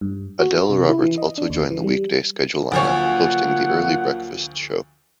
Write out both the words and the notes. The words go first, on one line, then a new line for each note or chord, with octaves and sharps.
Adele Roberts also joined the weekday schedule line-up, hosting the Early Breakfast show.
G2
F#4
C3
E4
E3
D#5
D4
D#2
E3
G3
D2 F3 F#3 A#3 F4 C#5 F#5